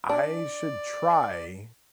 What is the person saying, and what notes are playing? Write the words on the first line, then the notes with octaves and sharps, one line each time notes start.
I should try
D4 D5